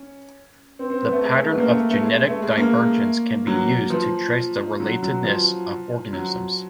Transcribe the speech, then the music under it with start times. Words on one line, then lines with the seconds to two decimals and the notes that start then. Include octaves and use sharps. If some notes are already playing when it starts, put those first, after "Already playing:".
The pattern of genetic divergence can be used to trace the relatedness of organisms.
Already playing: C#4
0.79 C4
0.90 C4
1.01 B3
1.12 A3
1.23 G#3
1.35 A3
1.46 B3
1.58 A#3
1.68 A3
1.90 A3
2.01 G#3
2.13 G#3
2.27 A3
2.42 G#3
2.57 A#3
3.47 F#3
3.90 F3
4.80 F#3
5.03 F#3
5.24 F3
6.13 F#3